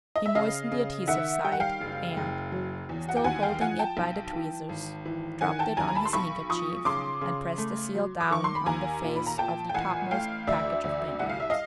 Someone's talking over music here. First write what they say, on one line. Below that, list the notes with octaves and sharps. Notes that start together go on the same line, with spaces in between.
He moistened the adhesive side, and, still holding it by the tweezers, dropped it on his handkerchief and pressed the seal down on the face of the topmost package of banknotes.
D#5
E5
C#3 D#5 F5
C#3
D#3 E5 F#5
G3 G5
F#5
F5 G5
F#1
F#1
F#3
E2
F#5
G5
D#2 F#5 G#5
F5 G5
F3 F#5 G#5
G5 A5
B1
E3
G#1
E3
D#3 F#5 G#5
G5 A5
D#2 G#5 A#5
A#5
A5 B5
C6
B1 B5 C#6
F3 C#6 D#6
C#3 C6 D6
C#3
A3
F#3
D6
D#3 C#6
C6
B5
D#2 G#5 A#5
A#2
B5
A#5
A#2 G5 A5
G5
A1 F#5 G#5
A3 F5 G5
D2 D5 E5
D2
C2 F#5
F5
E5
D#5 F5